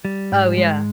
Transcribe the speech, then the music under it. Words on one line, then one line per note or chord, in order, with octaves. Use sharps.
Oh, yeah.
G3
G#2
G#3